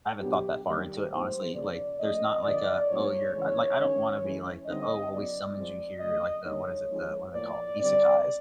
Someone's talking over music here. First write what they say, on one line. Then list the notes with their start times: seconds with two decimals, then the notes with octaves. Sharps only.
I haven't thought that far into it, honestly, like, there's not like a, "Oh, you're" like, I don't wanna be like the, "Oh, well, we summoned you here," like the what is it the what are they call- isekais?
0.21 A#2 F#3 B3 D4 G4
0.65 D#3 G3 A#3 D4 G4
1.10 A2 F3 G#3 B3 D#4 C5
1.54 C#3 F3 A#3 D5
1.99 F3 A3 C#4 D#5
2.43 D3 F3 A#3 D5
2.88 A2 F#3 B3 D4 C#5
3.32 C#3 E3 G#3 C#5
3.78 D#3 G#3 C#4
4.22 E3 G#3 C#4
4.66 D3 G3 C4 D#4 D#5
5.11 C#3 F#3 B3 D5
5.56 F3 G#3 C4
6.00 C#3 F#3 A3 D#5
6.45 D3 G3 A#3 D#4 C#5
6.89 F3 G#3 C4 D#4
7.34 A2 F3 A#3 D5
7.79 D3 G3 C4 D5